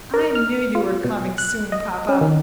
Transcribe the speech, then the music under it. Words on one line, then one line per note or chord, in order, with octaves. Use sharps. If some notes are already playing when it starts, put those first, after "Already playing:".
"I knew you were coming soon, papa."
A#4
F6
F4
B2
F#6
D#5
C#4
D#3